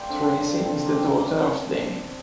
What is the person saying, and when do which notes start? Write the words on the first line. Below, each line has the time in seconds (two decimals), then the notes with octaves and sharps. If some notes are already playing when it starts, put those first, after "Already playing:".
Tracy is the daughter of Dany.
Already playing: G3 A#3 F4 G4
0.09 D3 C4
0.30 G3
0.37 D4
0.51 D3
0.65 C4
0.71 G3
0.85 A#3
0.92 A#2 C4
1.12 A#2